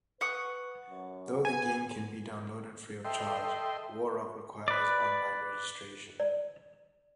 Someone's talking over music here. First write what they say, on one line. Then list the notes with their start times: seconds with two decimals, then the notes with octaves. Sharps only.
Though the game can be downloaded free of charge, War Rock requires online registration.
0.21 B4 F#5 C#6 D#6
0.90 F#2
1.45 B3 G#5
3.05 A4 D#5 E5 G5 C6
4.68 B4 D5
6.20 D5